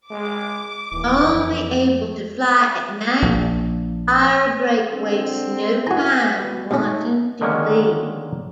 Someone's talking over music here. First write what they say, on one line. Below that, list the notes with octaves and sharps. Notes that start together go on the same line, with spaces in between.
Only able to fly at night, Firedrake wastes no time wanting to leave.
G#3 D6
D#1 E3
F2
A#1
D3 C4
E4 F#4 G#5 A#5
B2
B2 A3 C#4 D#4
D3 D#3 G#3 A#3 C#4